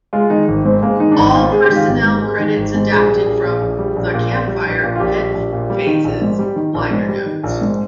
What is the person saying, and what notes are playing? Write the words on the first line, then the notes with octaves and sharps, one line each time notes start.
All personnel credits adapted from "The Campfire Headphase"s liner notes.
G#3 F4
D#3 D#4
G#1
G#2 C4
G#3 A#3
D#3 D#4
D4
G#1 D#4
D#4
G#2 F4
G#3 G#4
G4
D#3
F4
G#1 G4
G#2
G#3
D#3
G#1
G#2
A#1 G#4
G3
A#1
A#2
A#1
G3
A#1
A#2
A#1
G3
A#1
A#2
F4
A#1 G4
G3
A#1
A#2
G3
D#3
A#1
G#2
G3
D#3
A#1
G#2
G3
D#3
A#1
G#2